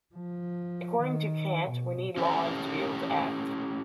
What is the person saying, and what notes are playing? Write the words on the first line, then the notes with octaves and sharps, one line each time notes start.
According to Kant, we need laws to be able to act.
F3
D#3
B2
C#4 E4 G4 A4